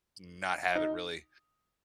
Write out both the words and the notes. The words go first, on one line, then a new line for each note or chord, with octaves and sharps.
not have it really
D#4